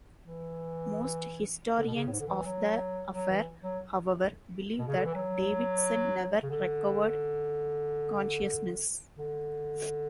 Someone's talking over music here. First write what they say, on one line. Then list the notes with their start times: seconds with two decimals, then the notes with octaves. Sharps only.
Most historians of the affair, however, believe that Davidson never recovered consciousness.
0.26 E3
1.78 D3
1.87 B2
1.95 C#3
2.07 A2
2.12 G#2
2.20 D3
2.28 E3
2.45 F#3
3.13 F#3
3.29 E3
3.63 F#3
4.79 B2
4.88 C#3
4.97 D3
5.05 E3
5.15 F#3
6.43 C#3
6.50 D3
9.18 D3